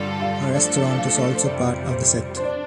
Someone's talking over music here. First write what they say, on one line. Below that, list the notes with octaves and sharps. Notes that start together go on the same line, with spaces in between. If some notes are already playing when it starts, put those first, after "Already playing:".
A restaurant is also part of the set.
Already playing: G2 D3 G3 D4 F4 G4 A4 D5
F5
F3 A3 D4 A4 D5
F5
C5
F2 C3 G3 D5
C5
D4 C5
D5